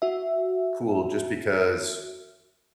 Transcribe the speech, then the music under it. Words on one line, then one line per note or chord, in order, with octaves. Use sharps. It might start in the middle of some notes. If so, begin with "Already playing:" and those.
cool just because
F#4 E5